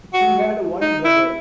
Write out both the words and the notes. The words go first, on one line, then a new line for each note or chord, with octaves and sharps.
She had one brother.
F#4
D#4
E4